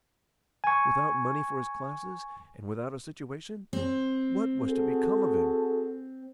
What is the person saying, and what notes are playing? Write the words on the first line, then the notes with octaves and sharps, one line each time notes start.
Without money for his classes, and without a situation--what was to become of him?
G#5 C#6
C4
F#4 G#4 A4